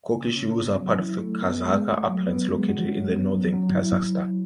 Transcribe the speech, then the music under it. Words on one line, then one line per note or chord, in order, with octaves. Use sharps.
Kokshetau hills are part of the Kazakh Uplands located in the northern Kazakhstan.
C#3
C#4
B3
F#3
E4
A3
B3
G#3
A3
F#3
B3
G#3
F#4
C#4
B3
F#3
F#3
E4